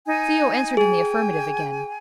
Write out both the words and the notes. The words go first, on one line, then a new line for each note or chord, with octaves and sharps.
Theo answered in the affirmative again.
D#4 G#5
G#4 G5 G#5